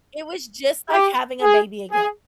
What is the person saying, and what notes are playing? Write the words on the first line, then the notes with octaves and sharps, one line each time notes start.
It was, just, like having a baby again.
G4
G#4
G#4